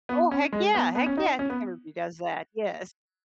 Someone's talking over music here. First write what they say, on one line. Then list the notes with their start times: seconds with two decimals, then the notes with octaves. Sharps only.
Oh, heck yeah, heck yeah, I think everybody does that yes.
0.09 B3
0.31 C#4
0.53 G#3
0.75 B3
0.95 B3
1.06 C#4
1.17 D#4
1.39 C#4
1.50 B3